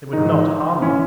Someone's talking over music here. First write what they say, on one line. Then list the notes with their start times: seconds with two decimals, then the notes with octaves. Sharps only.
They would not harm me.
0.13 G#2 D#3 D#4
0.82 E3 C#4 E4